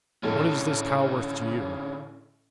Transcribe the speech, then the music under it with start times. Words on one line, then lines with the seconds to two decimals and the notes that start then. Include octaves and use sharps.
"What is this cow worth to you?"
0.23 A1 A2 D3 C#4 A4